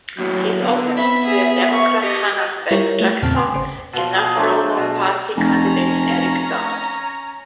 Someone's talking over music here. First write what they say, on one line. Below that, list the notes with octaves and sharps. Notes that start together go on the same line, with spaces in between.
His opponents were Democrat Hannah-Beth Jackson and Natural Law Party candidate Eric Dahl.
D#2 A2 F#3
D3 B3
E5 B5
G#4 B5
C#6
G4 D#5
G3 E4 F4 G4 A#4 C#5
A3
E2 A#2 C#3 C4 A5 F6
G5 G#5 C6 D6
G#1 C#3 C5
B2 F3
G#4
F#3 A3 D4 C5
B2
F1 C#4 A#5